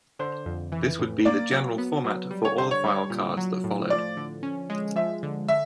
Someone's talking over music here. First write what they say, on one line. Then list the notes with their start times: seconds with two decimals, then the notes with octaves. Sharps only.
This would be the general format for all the file cards that followed.
0.19 D3 C5
0.46 F2
0.72 E3
0.99 A2
1.25 A#3 D5
1.52 F#3
1.78 B3
2.04 F#3
2.31 G3
2.45 C#5
2.58 D3 C5
2.71 C#5
2.84 G3
3.10 A#2
3.37 F#3
3.64 A2
3.90 F3 D5
4.17 D3
4.43 C#4
4.70 G#3
4.96 F3 E5
5.23 D3
5.48 D3 E5